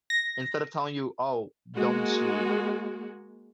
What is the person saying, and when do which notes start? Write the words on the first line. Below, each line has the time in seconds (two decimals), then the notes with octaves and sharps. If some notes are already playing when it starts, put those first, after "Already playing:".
instead of telling you, "Oh, don't cheat,"
0.10 A#6
1.76 G#3 A#3 F#4